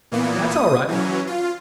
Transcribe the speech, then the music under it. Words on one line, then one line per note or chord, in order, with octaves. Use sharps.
That's all right.
A#2 E3 A#3 B3
D#6
E3 F#3 C#4
F4